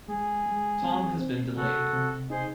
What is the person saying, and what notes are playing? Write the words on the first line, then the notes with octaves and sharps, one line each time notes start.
Tom has been delayed.
G#3 G#4
G#3
C4
C4
C3 F#4 A4
C3
D#4 G#4 C5